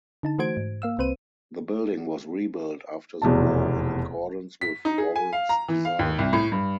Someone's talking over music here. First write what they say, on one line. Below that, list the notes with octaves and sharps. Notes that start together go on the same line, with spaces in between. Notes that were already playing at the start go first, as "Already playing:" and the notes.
The building was rebuilt after the war in accordance with Warren's design.
D3 D#4 A5
E3 A3 F#4 C5 G#6 D7
G#2
A#3 F5 E6
C2 C4 B4 C5 D#7
F1 E2 B2 A5
B6
D#4
G#4
G#5
F5
A#5
E3
F5
D#2
C2
A2
G2